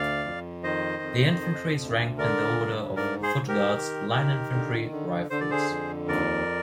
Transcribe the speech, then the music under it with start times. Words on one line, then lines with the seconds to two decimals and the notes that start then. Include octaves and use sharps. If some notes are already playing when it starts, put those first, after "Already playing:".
The infantry is ranked in the order of Foot Guards, Line infantry, Rifles.
Already playing: D2 D5 F5
0.25 F2
0.63 D#3 C5 D#5
1.03 F2
1.41 F3
1.81 D2
2.18 D3 A#4 D5
2.58 G2
2.96 G#2 A#4 D5
3.23 G#4 C5
3.36 G#2
3.48 G4 A#4
3.75 D#3
4.14 D#3
4.52 D3
4.92 D3
5.30 D3 C5
5.40 D5
5.51 G#4 C5
5.70 F2
6.08 D#2 A#4 D5